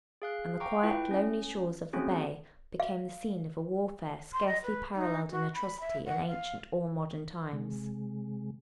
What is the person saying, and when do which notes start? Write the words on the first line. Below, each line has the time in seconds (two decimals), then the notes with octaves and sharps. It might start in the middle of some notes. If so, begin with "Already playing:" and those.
And the quiet, lonely shores of the bay became the scene of a warfare scarcely paralleled in atrocity in ancient or modern times.
0.22 G#4 F5 F#6
0.60 F5 G5 A#5 C#6 D6
0.83 E4 F4 B4 G5
1.11 C#4
1.93 A3 A#3 C4 C#4 F#4 G#4
2.80 F5
4.33 C6
4.46 D#5
4.62 B4
4.95 D#4
5.31 F#4
5.54 B5
5.80 E5
6.06 F#5
6.28 F5
7.52 C3 G#3